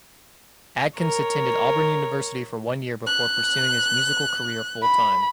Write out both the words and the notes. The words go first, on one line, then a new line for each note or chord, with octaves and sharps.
Adkins attended Auburn University for one year before pursuing his musical career full time.
A#4 C#5
F#6
B5